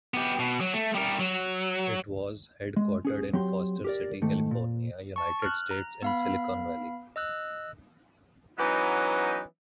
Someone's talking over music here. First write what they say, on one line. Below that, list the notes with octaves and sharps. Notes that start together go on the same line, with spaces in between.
It was headquartered in Foster City, California, United States, in Silicon Valley.
B3 G4
B2
F#3
A3
G3 A#4
F#3
G#3
C#4 G#4
F#3 C4 G4 C6
G4 A#4 D5
G#2 D#3 A3
A#2
A5 C#6
F6 F#6
A#5
B3 F5 B5
D#5 E6 F#6
E3 F#3 B3 C#4 D#4